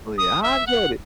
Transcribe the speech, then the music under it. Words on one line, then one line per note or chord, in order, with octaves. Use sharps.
Really, I enjoyed it.
D#6
E5
F#5